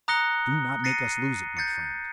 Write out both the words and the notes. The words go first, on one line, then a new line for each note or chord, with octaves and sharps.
"Do not make us lose it, my friend."
A#5 D#6 F#6 A#6 C#7 G7
A6 A#6 C7 C#7 D#7
G6 A6 C7 C#7